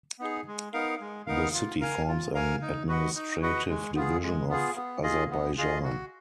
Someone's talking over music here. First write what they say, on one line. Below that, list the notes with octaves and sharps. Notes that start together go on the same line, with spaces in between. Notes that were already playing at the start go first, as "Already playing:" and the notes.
The city forms an administrative division of Azerbaijan.
B3 D#4 G#4
G#3
B3 D#4 A#4 F5
G#3
B3 D#4 A#4 F5
F4
A#4 F5 G#5
F4
A#4 F5 G#5
D#4
F#4 B4 D#5 F#5
D#4
F#4 B4 D#5 F#5
G#3
B3 F4 G#4
G#3
B3 F4 G#4
B3
F4 G#4 D#5
B3
F4 G#4 D#5
F#4